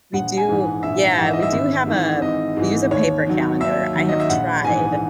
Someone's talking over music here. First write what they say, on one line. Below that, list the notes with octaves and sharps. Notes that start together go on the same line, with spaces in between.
we do Yeah, we do have a we use a paper calendar. I have tried
A#1 F#5
G#5
G#2 E3
G#5
A#1 E5
G#2 E3 F#5
E5
D#5
E5
G#1
G#2 E3
G#1 D#5
G#2 E3
D#2 C#5
D#3 F#3
D#2 E5
D#3 F#3
D#5
E5
A#1 F#5
G#2 E3 G#5